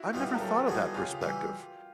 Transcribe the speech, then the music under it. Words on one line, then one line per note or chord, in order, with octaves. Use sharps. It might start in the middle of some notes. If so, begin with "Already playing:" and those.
I've never thought of that perspective.
Already playing: E4 F#4
D#3 G3 B3 D#4 F4 G4
A#4
F#2 G4 A4
D#3 G3 B3 D#4 F#4 G#4
C#3 F4 G4
E3 G3